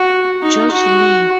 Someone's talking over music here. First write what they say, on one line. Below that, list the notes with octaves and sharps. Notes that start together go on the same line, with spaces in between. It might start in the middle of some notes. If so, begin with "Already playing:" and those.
George Lee.
Already playing: F#4
D#4
F#4